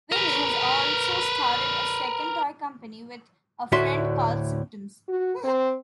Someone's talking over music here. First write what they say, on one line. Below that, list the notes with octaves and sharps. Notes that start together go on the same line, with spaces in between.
Vinnie has also started a second toy company with a friend called Symptoms.
A#4 B4
D2 A2 D3 F#4 E5 C6
F#4
C4